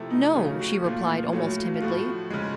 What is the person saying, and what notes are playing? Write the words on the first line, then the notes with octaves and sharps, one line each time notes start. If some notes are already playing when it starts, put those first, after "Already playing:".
"No," she replied, almost timidly.
Already playing: C3 F3 A3 E4
D#4
C#3 F#3 A3 F4
F#4
A#2 F3 A3 F4
A2 F#3 A3
F4
A2 F3 A3 F#4
C#3 F3 G#3